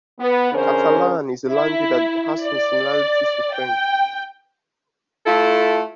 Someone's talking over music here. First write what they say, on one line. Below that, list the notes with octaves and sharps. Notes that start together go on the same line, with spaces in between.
Catalan is a language that has some similarities to French.
B3
F2 D3 C#4 G#4 A#4 C5
E4
D5
G5
A3 E4 F4 A4